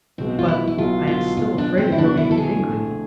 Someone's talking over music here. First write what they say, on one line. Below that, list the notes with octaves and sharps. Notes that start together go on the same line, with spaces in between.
"But I am still afraid of your being angry."
B1 B2 G#3 C4
F4
E4
E4
B1 B2 G#3 F4
F4
B1 B2 G#3 F4
D4
C4
E4
B1 B2 G#3 D4
E4
A4
G#4
F2 D3 A3